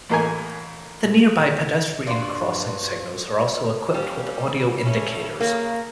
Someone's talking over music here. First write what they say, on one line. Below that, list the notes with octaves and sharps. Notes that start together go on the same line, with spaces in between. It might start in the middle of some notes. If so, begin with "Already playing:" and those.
The nearby pedestrian crossing signals are also equipped with audio indicators.
A1 A2 A#3 D#4 A#4 G#5
G2 F4 F#4 D5 C6
G3 A#3 C#4
C#3 A3 C#4
C#3 A#3